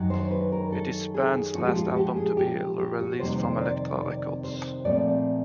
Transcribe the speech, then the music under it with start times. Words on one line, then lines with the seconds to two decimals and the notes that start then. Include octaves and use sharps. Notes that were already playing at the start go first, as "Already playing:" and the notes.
It is the band's last album to be released from Elektra Records.
Already playing: F#2 D#3 F#3
0.10 C5
0.31 B4
0.52 A#4
0.72 A4
1.14 G#4
1.55 A#2 F3 G#3 F#4
1.65 G4
1.76 F4
1.87 F#4
1.96 G4
2.16 G#4
2.37 G4
2.79 G4
3.00 F#4
3.20 F2 C3 D#3 G3 A#3 C5
3.41 C5
3.61 D5
4.02 D5
4.44 C5
4.85 A#2 F3 A3 C4 D5